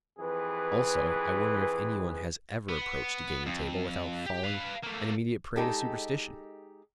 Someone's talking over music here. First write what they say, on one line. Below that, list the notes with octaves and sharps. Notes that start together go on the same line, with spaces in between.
Also, I wonder if any one has EVER approached a gaming-table without falling an immediate prey to superstition?
F2 E3 G#4 B4
B3
F2
G4
B4 F5
A3 A#3
G#3 D#4 G4 A4